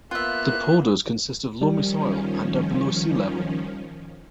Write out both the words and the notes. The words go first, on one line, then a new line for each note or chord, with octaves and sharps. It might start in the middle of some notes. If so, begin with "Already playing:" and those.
The polders consist of loamy soil and are below sea level.
A#3 B3 F4 E5 F#6
D#3 F3 G3 C#4